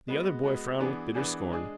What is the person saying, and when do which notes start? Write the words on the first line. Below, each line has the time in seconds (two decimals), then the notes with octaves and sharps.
The other boy frowned with bitter scorn.
0.08 G#3 B3 F#4
0.44 G#3 B3 F#4
0.79 E3 B3 D4 G#4
1.15 E3 B3 D4 G#4
1.51 G#3 D4 G#4